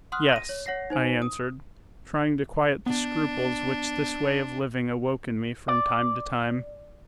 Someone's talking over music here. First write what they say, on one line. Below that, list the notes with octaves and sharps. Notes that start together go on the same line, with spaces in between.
"Yes," I answered, trying to quiet the scruples which this way of living awoke in me from time to time.
F#5 C6 D#6 F6 F#6
A#6 D#7
C#5
C#5 F#5 A#6 C7
D#4 C5 G#5
D#6
B3 D4
D5